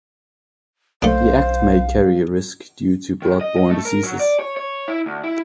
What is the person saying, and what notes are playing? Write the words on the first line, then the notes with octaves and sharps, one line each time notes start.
The act may carry a risk due to blood-borne diseases.
B1 A3 D4 C5 F5
D#3
D#5
D#5
A3
A#4
F#3
D5
C#5
C#5
E4
D2
E4